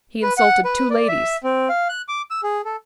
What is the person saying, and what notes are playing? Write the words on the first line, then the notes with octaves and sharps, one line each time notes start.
He insulted two ladies.
B4
F#5
B4
D5
E5
C4
F5
F#6
D6
E6
G#4
A4